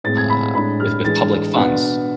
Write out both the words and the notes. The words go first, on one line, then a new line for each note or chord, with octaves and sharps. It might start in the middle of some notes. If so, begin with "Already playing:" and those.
uh, with with public funds.
A2 G#3 C4 A6
G#6
B5
A2 G#3 D4 B5
F6
E3 G#3 D4 A6
B2 B3 D4